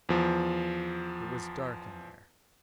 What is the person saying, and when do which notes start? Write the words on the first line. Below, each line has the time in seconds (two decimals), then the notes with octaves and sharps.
It was dark in there.
0.09 E2 F3